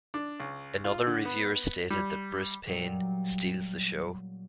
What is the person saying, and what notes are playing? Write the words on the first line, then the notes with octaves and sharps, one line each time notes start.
Another reviewer stated that Bruce Payne 'steals the show.
D4
C#2
F4
D3
B3
G3
A#2 F#3 G3